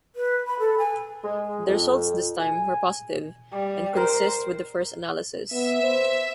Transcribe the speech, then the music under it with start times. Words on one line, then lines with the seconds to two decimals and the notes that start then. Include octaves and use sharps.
The results this time were positive and consist with the first analysis.
0.16 B4
0.47 B5
0.60 A4
0.78 G#5
1.24 G#3
1.67 F2
2.39 G#5
3.54 G3
3.97 A#4 C5
5.52 B3 E5
5.83 C5